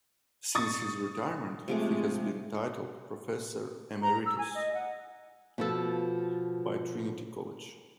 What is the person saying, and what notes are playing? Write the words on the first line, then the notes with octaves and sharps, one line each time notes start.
Since his retirement he has been titled "Professor Emeritus" by Trinity College.
C#6 D#6 A6
C3 F3 G#3 A3 D6
A#5
E6
G#5
D#5
F#5
B2 F3 A4